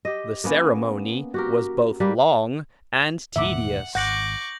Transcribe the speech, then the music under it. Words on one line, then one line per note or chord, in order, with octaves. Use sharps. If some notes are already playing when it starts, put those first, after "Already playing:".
The ceremony was both long and tedious.
G4 D#5
A#3 B3 C#4
F#4 G4 A#4
G3 A#3 B4
E1 A2 D#3 E5 F#5 D6
G#1 F#5 C#6 D6 G6 A#6 F#7